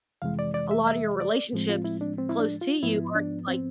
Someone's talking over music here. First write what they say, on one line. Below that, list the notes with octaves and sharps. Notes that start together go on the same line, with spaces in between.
a lotta your relationships close to you are, like,
F2 C3 E3 G#3 F5
D5
D5
E5
E5
D5
A2 F3 G#3 C4
F4
E4
D4
C4
E4
D4
F4
G#2 F3 B3 E4
D4
C4